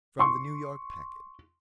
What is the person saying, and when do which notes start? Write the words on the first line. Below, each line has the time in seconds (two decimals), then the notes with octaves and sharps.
From the New York Packet.
0.19 C6 C#6